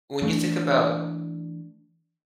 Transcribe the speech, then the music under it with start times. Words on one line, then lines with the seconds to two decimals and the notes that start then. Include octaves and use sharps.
when you think about
0.22 E3 A3 C4 D4